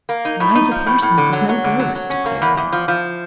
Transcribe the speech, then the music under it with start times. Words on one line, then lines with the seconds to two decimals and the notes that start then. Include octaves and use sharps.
"Eliza Parsons is no ghost," declared Beth.
0.09 A#3
0.25 D#4
0.40 A2
0.55 D#4
0.71 F3
0.86 A2
1.02 A2
1.18 D3
1.33 F#3
1.49 F#3
1.64 D3
1.79 F#3
1.95 F#3
2.10 C#4
2.26 A#3
2.42 E2
2.57 E2
2.72 F3
2.88 F3